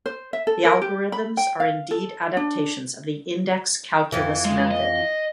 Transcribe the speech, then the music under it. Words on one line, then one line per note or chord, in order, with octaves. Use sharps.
The algorithms are indeed adaptations of the index calculus method.
C5
E5
A4
A#4
G4
B5
G5
F5
A4
D4
F2 E3
G#3
D#5